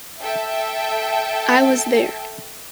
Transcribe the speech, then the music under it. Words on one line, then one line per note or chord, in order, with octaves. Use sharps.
I was there.
A4 E5 G5